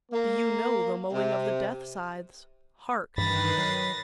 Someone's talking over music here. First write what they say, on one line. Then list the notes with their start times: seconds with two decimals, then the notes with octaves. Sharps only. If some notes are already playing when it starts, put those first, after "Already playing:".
Do you know the mowing of the death scythes? Hark!
0.12 A#3
1.13 C3
3.18 G2 D#3 E3 B4 B5 A6 A#6 C7
3.58 F#3